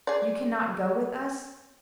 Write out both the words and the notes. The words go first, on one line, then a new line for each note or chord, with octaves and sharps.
"You cannot go with us!"
G#4 D5